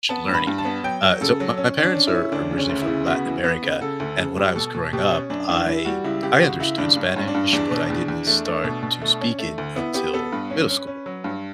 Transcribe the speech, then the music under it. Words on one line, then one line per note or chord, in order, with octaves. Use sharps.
Ch learning. Uh, so my parents are originally from Latin America. And when I was growing up, I I understood Spanish, but I didn't start to speak it until middle school.
B3 A5
G2
B5
G2
A5
B3
F#3 G5
F#3
C#3 A4
F#3
C#4
C#4
D4
C#4
E4
C#4
D2 D4
C#3
C#4
D2
E4
C#3
B3 F#4
E3
B3
C#3
C#3 A4
D2
C#3
G3
B2 A4
B2
B2 G4
C#4
F#2 D4
E3 D4
E3 E4
G3 F#4
C#2 E4
C#2 G4
C#2 F#4
C#2 E4
G2 D4
G2
C#4
G2
D4
G2
E2 D4
B2
E2
E2
A3
A3
B2
B2
A3
C#4
A3
D2
B3 E4
B3 G4
B3 A4
G2 B4
C#4
C#4
C#4
F#3
G2